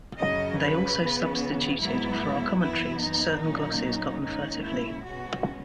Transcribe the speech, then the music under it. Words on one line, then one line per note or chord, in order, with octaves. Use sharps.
They also substituted for our commentaries certain glosses gotten furtively.
F#2 C#3 F#3 C#4 D#5
B4
C#3 E3 B3
G#2 F#3 B3 E4
F#2 E3 B3 E4
D#4
A#2 F#3 A#3 C#4
G#2 D#3 A#3 C#4 D#4
E4
B2 G#3 C#4 F#4